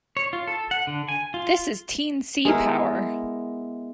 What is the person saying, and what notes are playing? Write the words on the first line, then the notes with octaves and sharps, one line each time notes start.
This Is Teen-C Power!
C#5
F4
A4
F#5
D3
G#5
F4
G#3 B3 E4 A#4